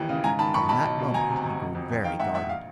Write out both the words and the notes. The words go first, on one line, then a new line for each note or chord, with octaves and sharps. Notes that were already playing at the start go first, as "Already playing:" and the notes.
From that moment he grew very guarded.
Already playing: A1 D#2 E3
C#3
G#2 G#5 A#5
D#3 A5 B5
D#3 B5 C#6
B1 A5 B5
B1
B2
D2 G#5 A#5
C3
D2
F1
F2
F2
D#3 F5 G5
G#2 E5 F#5
A#1 E5 F#5
F5